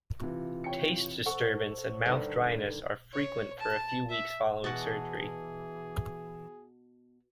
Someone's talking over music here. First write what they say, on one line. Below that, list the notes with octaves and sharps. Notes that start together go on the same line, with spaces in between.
Taste disturbance and mouth dryness are frequent for a few weeks following surgery.
C3 E3 F4
C#5 G5 C#7
A4 C5 F#5 C#6
G2 D3 D#3
C#5
A5
E5
B2 E3 F#4 G#4 A5